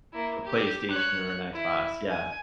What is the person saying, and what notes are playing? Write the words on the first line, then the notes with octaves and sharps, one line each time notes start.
A PlayStation or an Xbox, yeah.
A#3 E4
G4
C#5 F#6
E4
G#5